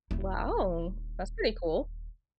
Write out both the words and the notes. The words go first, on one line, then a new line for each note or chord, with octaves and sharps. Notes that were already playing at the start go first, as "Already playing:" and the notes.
Wow, that's pretty cool.
D#1 E4